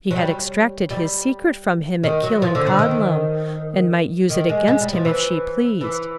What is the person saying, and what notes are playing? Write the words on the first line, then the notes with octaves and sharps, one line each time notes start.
She had extracted his secret from him at Killancodlem, and might use it against him if she pleased.
F#3
G3
G3
D#3
F#3
F3
D3
D3
D#3
D#3
G#3
G#3
G3
F3
E3
E3